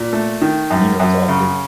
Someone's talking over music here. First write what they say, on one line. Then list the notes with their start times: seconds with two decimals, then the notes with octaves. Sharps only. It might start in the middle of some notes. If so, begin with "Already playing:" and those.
Nino is all three.
Already playing: A#2
0.13 A3
0.41 D#3
0.70 F#2
1.00 F#2
1.28 C#3